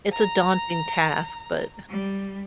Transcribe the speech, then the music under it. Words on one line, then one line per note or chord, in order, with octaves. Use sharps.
it's a daunting task, but
A#5
G3